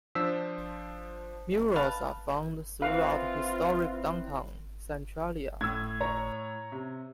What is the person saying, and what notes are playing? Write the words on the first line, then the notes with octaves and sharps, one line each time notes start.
Murals are found throughout historic downtown Centralia.
F3 D4 C5 E6 B6
B4 F5 A5
C4 E4 F4 B4 F5
A2 E6 G#6
C#5 A#5
C3